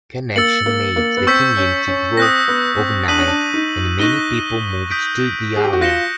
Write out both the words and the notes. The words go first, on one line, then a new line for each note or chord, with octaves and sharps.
Connection made the community grow overnight and many people moved to the area.
A#3 E6 A6 C#7 F#7
A#3
A#3
B3
C4 C#6 E6 G6 B6
C#4
C#4
C4 D#6 F#6 A#6
B3
C4
D4 D#6 F#6 B6 D#7 F#7
C#4
D4
D#4
D#4 C#6 F#6 A#6 D#7 G7
D#6 G6 B6 D7
G#4
G4
F#4
F4 F#6 A#6 C#7 E7 G7